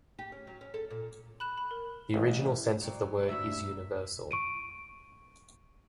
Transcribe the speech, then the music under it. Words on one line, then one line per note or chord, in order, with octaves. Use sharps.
The original sense of the word is 'universal'.
G4
C#4
F#3
C#4
A4
A#2
B5 F#6 E7
B5
A#4
A1
F#3 C4 D5
D2 G2 F#4 E5
C#6 D7 D#7